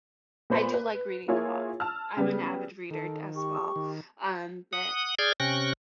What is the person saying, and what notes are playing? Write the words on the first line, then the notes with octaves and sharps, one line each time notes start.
I do like reading a lot. I'm an avid reader d as well, um, but
A#2 B3 C5 B5
B4
A#3 E4 F4 G#4 C#5
A5 E6 F6
C#3 G3 B3
D#3 A4
G4 C#6
D#3
F#5 D#6
G#4 D5 F6 G6 G#6
C3 C#4 G5 C#6 F#6 A#6